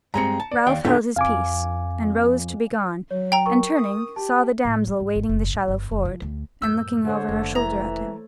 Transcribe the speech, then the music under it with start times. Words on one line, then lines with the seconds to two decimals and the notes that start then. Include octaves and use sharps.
Ralph held his peace, and rose to be gone and turning saw the damsel wading the shallow ford, and looking over her shoulder at him.
0.14 G2 G#3 C4 A#5 C#7
0.40 A5
0.51 D5
0.67 D#2 F5 G5
0.85 E2 A2 D3 B3 F4
1.16 F2 F5 G#5 D6
3.11 F#3 C#5
3.32 G5 A#5
3.46 A#4 C#6
3.74 D#6
4.16 G4 A5
4.65 A2
4.87 G3
5.00 G#2
5.16 G#1
5.29 F#1
5.54 A2
5.68 G1
5.91 F#1
6.05 F3
6.22 D2
6.62 F#2 A2 A#3 E6 G6
7.05 D3 A4 C5 C#5
7.28 F1 A3 A4
7.55 E3 A#5